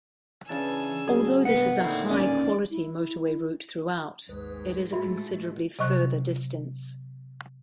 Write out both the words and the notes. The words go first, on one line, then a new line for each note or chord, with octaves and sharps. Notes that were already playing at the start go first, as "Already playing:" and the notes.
Although this is a high-quality motorway route throughout, it is a considerably further distance.
C#3 E3 D4 G#5 A5 E6
F#3 G#4
C2 G2 B3 B4 F#5 C#7
D#2 A#2 D3 A3 C4 D#4 E4
A1 C#4 D#4 D5 G#5
E4
G#1 D#2 G#2 B4
A2 G#3 A3 F4 F#4 E5
C3 F#3 D#5 C#6 F#6